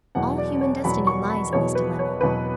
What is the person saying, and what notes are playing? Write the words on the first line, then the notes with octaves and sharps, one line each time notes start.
All human destiny lies in this dilemma.
E2 B2 F#3 F#5
D5
C#5
E2 B2 F#3 B5
C#6
B5
E2 B2 F#3 C#5
B4
C#5
E2 B2 F#3 B4